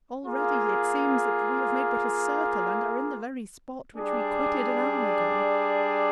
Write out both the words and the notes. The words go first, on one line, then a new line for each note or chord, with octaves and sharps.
Already it seems that we have made but a circle, and are in the very spot which we quitted an hour ago.'
A#3 F4 G#4
G3 D4 G#4 D5